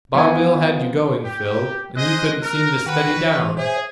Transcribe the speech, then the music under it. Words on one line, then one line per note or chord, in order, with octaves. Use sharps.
Barville had you going, Phil, and you couldn't seem to steady down.
F3 B3 G#5
G4
G#4 C5 D#5 F#6
A#4
D#3 F#4 B4 F#5 G5
E3
G#4 C5 C#5 E5